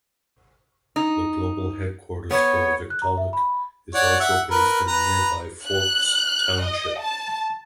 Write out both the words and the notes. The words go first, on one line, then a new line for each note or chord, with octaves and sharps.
The global headquarters for Victaulic is also based in nearby Forks Township.
D#4
B3 C#5
F#6
A#5
E5
B5
C#5 D5 F#5
E5 F#5
A#4 B4
B4 A#5
F#6
D#5
A5